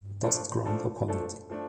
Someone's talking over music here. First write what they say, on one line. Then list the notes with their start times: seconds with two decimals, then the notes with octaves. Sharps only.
Dust ground upon it.
0.23 F3 A3 D4 A4
0.65 F3 A3 D4 A4
1.08 F3 A3 D4 A4
1.49 F3 A3 D4